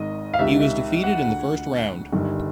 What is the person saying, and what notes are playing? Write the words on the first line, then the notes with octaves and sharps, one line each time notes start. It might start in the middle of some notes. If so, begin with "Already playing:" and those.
He was defeated in the first round.
Already playing: G#1 G#2 D#3 D#5
F5
C#2 C3 D#3 E5
E5
F#5
D2 D3
G1 G2 D#3